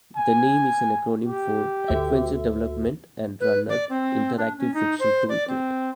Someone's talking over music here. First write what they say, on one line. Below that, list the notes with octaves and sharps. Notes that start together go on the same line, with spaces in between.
The name is an acronym for "Adventure Development and Runner - Interactive Fiction Toolkit".
G#5
G4
D2 E5
B4
D5
C4
D4
C#4
D#4
C5
D5
C4